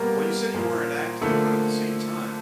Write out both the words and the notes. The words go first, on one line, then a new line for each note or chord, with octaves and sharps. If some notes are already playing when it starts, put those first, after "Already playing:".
Well, you said you were inactive, but at the same time,
Already playing: B2 G3 A#3 A#4
A#2 F3 A#3
D3 F3 A3 A#3 A4